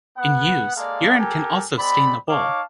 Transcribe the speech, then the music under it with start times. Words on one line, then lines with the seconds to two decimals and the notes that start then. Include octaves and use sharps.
In ewes, urine can also stain the wool.
0.18 B3 F#5
0.77 G#3 A#3 A4 D5 F5
1.19 G4 A4 A#4 G#5
1.79 G#3 C4 D5 B5
2.29 D#4 C#5 F5 A5 D6